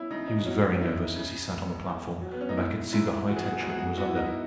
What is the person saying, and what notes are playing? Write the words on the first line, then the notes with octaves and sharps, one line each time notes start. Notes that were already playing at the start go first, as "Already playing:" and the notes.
He was very nervous as he sat on the platform, and I could see the high tension he was under.
Already playing: C#4 E4
C#3 D#4
D#4
F#3 C#4
C#4
D#4 E4
C#3
E1
E2
F#3
B3
C#4
D#4
G#3 E4
G#2 E4
E3 F#4
G#4
F#4
G#4
G#2 F#4
G#4
F#4
B3 F#4
E4
D#4
E4